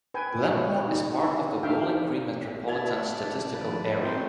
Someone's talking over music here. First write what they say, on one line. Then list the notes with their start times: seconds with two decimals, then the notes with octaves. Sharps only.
Glenmore is part of the Bowling Green Metropolitan Statistical Area.
0.14 B4 G5 G#5
0.54 C#5
0.88 D#4
1.63 D4 D#4 F#4 E5 F5 G5
2.68 E4 D5 A5 G#6 F7
3.54 D#3 F3 B4
4.04 A3 C4 C#4 A#5 C6